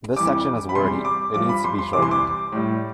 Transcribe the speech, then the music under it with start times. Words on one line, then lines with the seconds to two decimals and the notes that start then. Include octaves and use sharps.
This section is wordy, it needs to be shortened.
0.16 F2 E3 G3 D6
0.69 B5
0.75 E2 C3 G3 C6
1.05 D6
1.34 G2 F3 D6
1.49 B5
1.64 C6
1.79 C6
1.93 C2 C3 E3 G3 D6
2.02 C6
2.11 D6
2.52 A2 G3